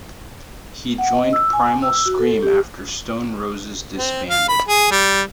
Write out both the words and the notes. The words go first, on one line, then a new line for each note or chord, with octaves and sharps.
He joined Primal Scream after Stone Roses disbanded.
F#5
D#5
E6
G#5
E6
F#4
A4
G4
C4
F5
B5
G#4
G3